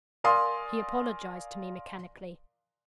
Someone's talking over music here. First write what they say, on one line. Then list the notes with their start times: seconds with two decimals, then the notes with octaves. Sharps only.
He apologized to me mechanically.
0.24 A#4 D5 F5 G#5 C6 D#6